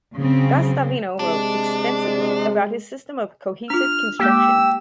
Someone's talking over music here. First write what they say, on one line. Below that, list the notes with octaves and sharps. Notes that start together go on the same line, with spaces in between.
Guastavino wrote extensively about his system of "Cohesive Construction".
C#3 F#3 C4
C3 G#3 D4
D4 F4 F6
G#3 A#3 G4 E6